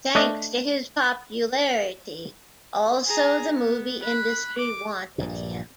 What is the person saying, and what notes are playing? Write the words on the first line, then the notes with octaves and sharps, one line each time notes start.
Thanks to his popularity, also the movie industry wanted him.
A3 D4 D#5
G#4 A#5
B3
B5 F#6
D6
A#1 G2 A#2